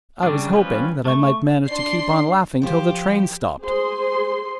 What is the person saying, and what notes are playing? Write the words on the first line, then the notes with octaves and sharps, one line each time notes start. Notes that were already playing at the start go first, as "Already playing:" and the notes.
I was hoping that I might manage to keep on laughing till the train stopped.
C#3 G3 D4
F3 G3 C#4 B4
A3 C#6
D4 C6 C7
F3 G4 C5
G#4 C5 C6